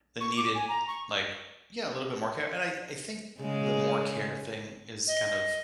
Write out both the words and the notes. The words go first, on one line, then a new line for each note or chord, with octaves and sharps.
that needed, like Yeah, a little bit more care, and I I think the more care thing is kind of,
C#6
D6
G#5
A#5
C#6
C#3 G#3
D#5